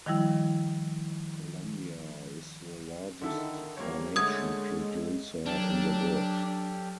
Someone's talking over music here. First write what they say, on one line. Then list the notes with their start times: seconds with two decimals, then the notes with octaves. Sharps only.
Colombia is the largest carnation producer in the world.
0.06 D#3 F3 G3 E4
3.21 D3 D#3 E4 A4
3.77 D3 F3 G3 A#3 C#5
4.16 D3 G#3 A3 C#4 D#6 G#6
5.46 F#3 D4 G4 A4 F6